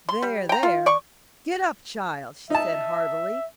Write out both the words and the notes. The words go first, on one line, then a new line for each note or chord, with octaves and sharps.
"There, there, get up, child," she said heartily.
C6
G3
G5 A#5
F4
D5 C#6
D#4 E5 A5